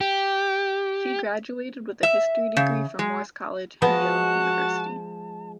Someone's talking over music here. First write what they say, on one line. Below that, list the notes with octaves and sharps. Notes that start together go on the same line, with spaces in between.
She graduated with a history degree from Morse College, Yale University.
G4
E5
C#3
G#3
F3 G#3 B3 F#4 D#5 A5